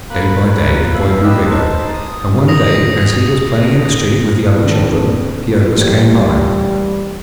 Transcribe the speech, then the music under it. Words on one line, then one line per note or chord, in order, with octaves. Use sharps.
Day by day the boy grew bigger, and one day as he was playing in the street with the other children, the ogress came by.
A#3 B4 B5
E4 E5 F5 B5
G4 B4 D5 D#5 E6
D#4 C5 A5
D#6
D#6 A#6 F7
D#3 C4 D4
E3 G3 A#3